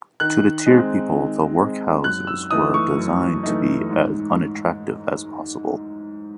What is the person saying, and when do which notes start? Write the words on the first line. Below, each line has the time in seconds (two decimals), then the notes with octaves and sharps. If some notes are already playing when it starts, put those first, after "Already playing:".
To deter people, the workhouses were designed to be as unattractive as possible.
0.20 D#3 F#6
0.66 G#3 C4
1.13 D#3
1.59 G#3 C4
2.04 F#2 F#6
2.27 E6
2.51 E3 A3 D#4 D#6
2.74 C#6
2.97 F#2
3.43 E3 A3 D#4
3.90 G#2